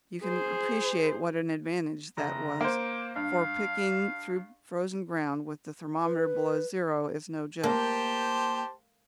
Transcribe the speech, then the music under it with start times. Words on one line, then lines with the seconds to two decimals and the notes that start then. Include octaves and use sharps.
You can appreciate what an advantage that was, for picking through frozen ground, with the thermometer below zero, is no joke.
0.23 G#4 C5
2.17 F#1 A#5
2.61 A#3 C5 D6
3.16 G2 F5
6.05 B4
7.64 A#3 G4 C5 A5